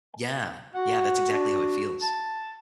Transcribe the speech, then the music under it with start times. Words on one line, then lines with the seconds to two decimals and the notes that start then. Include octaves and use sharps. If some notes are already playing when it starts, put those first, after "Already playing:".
Yeah. Yeah, that's exactly how it feels.
0.75 F#4 F#5
1.31 D4
2.03 A5